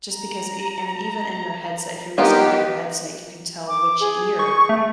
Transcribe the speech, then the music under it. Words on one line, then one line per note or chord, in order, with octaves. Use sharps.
just because e I mean, even in your headset, if you're listening through your headset, you can tell which ear
A#5
D#3 B3 F4 G4
D6
G#4
C#6
A3